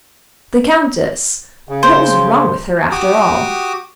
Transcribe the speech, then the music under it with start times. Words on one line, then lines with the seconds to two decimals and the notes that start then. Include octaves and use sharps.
The Countess--what was wrong with her, after all?
1.69 C#3
1.83 C5
2.92 F#4 G4 D6 D#6